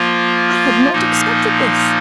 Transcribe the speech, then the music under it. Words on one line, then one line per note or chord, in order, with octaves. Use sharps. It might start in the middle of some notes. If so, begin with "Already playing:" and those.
'I had not expected this.
Already playing: F3 A#3 F4
A#2 F3 A#3 D#4